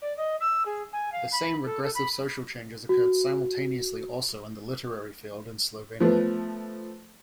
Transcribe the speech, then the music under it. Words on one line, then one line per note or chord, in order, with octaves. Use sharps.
The same regressive social changes occurred simultaneously also in the literary field in Slovenia.
D5
D#5
E6
G#4
G#5
F5
B5
A4
A4
B5
F#4
F3 A3 B3